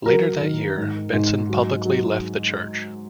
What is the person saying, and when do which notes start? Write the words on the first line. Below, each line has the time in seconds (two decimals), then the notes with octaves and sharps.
Later that year, Benson publicly left the church.
0.06 F#3 A#4
0.41 D#3
0.78 G#2
1.13 G#2
1.49 F#3
1.85 F#3